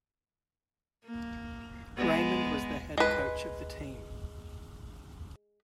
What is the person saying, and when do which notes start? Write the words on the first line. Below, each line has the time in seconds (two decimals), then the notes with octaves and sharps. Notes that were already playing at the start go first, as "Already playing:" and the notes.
Raymond was the head coach of the team.
1.05 A#3
1.97 G#3 B3
2.98 G#3 B4